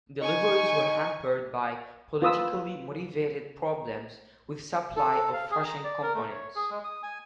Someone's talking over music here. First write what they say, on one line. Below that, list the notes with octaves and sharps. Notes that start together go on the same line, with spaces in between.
Deliveries were hampered by politically motivated problems with supply of Russian components.
D#4 G#5 C#6
F4 B4 D#6 E6
A4
F5
G#4
A#5
D5
A#4
A3
C#5
G#4
G#3
D#6
G#5